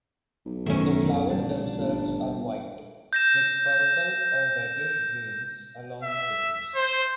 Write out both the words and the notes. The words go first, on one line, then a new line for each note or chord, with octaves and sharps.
The flowers themselves are white, with purple or reddish veins along the tepals.
B1
E1 F#2 B2 D#3 A3 C#4 D#4 E4
A1 A#2 G3 D4
G1
G6 A#6 E7
E5
C5